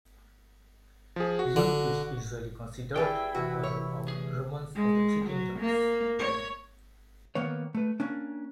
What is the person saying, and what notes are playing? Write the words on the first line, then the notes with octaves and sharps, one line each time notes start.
Luo is usually considered the author of "Romance of the Three Kingdoms".
F3 G#4
F#4
D3
G3 E4 G#4 B4 G5
C3 E3 F#4
C#5
D2 G#4
G#3
F#3
A#3
C#5
D#3 A#3 B3 C#5
A3 B4
A#3 C#4 D4